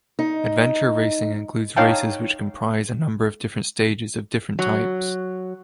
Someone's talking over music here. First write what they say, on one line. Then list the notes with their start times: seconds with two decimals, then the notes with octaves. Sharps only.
Adventure racing includes races which comprise a number of different stages of different types.
0.19 D#4
1.77 D#4 C#5 F5 G5 A5
4.59 F#3